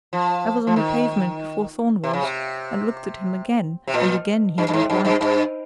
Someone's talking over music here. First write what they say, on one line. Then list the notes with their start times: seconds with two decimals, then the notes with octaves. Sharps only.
I was on the pavement before Thorn was, and looked at him again, and again he went white.
0.13 F3
0.67 F3
0.76 D#3
2.04 C3
2.13 C#3
2.23 C3
3.87 C3
3.94 A#2
4.58 G2
4.68 G2
4.73 G#2
4.90 G2
5.05 G2
5.21 G2